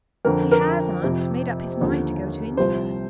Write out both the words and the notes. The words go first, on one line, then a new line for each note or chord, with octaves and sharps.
"He has, aunt, made up his mind to go to India."
F2 D3 F3 A#4
A#4
F2 C3 F3
D#2 D3 F3
C2 C3 F3 C5